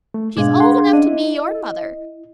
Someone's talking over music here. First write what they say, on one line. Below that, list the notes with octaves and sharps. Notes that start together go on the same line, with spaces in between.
She's old enough to be your mother.
A3
G#2 B2 G#3 D4 G#4 F5
F#5 C6
C#4 D4 D#5
E4